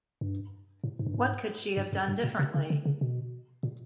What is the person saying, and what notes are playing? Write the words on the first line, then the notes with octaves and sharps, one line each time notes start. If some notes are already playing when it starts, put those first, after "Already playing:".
What could she have done differently?
G2
A2
G#2
G2
G#2
G2
F#2
G2
A#2
C3
C#3
D3
C#3
B2
A#2